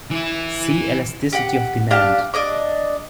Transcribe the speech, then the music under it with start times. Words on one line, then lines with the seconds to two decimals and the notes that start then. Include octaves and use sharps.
See Elasticity of demand.
0.11 E3 E4
1.33 G4 F#5
1.91 D4 G4 F5 A5
2.34 D4 D#5 D6